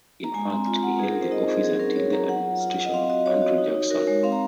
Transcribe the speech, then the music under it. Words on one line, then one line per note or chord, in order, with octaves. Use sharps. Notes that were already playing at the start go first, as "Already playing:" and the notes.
In fact, he held the office until the administration of Andrew Jackson.
A#5
G#3 G#5
C4 A#5
F4 G#5
F4 F#5
D#4 G#4
A#4
C4
C5
D#4 D#5
C4 G#4
F#3 G#4
C#4 A#4
F#4 C#5
F#3 A#5
F#3 F#5
F4
F4
F#3
D#5
C4 F5
F#4 D#5
F#4 C#5
F#4
D#4
D#4
F#4 A#4
G#3 C#5
C4 F5
A#5